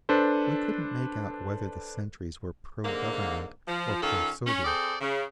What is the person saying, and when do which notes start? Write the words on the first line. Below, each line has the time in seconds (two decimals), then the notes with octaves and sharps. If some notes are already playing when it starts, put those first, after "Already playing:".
We couldn't make out whether the sentries were pro-Government or pro-Soviet.
0.09 D4 A4 B4 C5
2.84 G#2 D3 A#3
3.68 F3
4.03 D#3 C#4 F4 A4
4.46 C#4
4.65 C4 G#4 A4 C5 D5
5.01 C#3